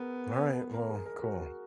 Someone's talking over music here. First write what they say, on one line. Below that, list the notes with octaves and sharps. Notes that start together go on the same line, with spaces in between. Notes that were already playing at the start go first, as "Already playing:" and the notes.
All right, well, cool.
Already playing: B3 G#4 A#4
A#4
A#4
G#4
A#4
F#4